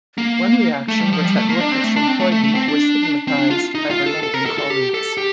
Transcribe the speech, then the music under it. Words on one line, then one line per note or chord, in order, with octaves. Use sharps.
One reaction was that workers from Croydon were stigmatised by their London colleagues.
A#3
A3
G3
F3
G3
A3
A#3
D4
C4
A3
D4
C4
A3
A3
A3
C4
D4
C4
D4
F4
D#4
F4
A4
A4
A#4
A4
A4
G4
A4
G4